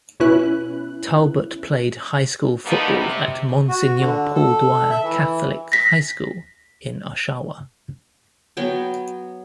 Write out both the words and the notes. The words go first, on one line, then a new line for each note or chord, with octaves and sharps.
Talbot played high school football at Monsignor Paul Dwyer Catholic High School in Oshawa.
B2 C#4 E4 B4 F#6
D3 F3 G3 A#3 B3 D#4
C3
F#4
D3
A4
E5
E3
A#6 B6
F#3 B3 G5 G#5